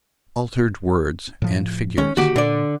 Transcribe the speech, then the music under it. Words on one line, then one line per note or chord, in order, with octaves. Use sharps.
Altered Words and Figures.
A2 F3
D#3 G#3 C#4
D3 D#3 A#3 F#4 G4
A#2 D3 D5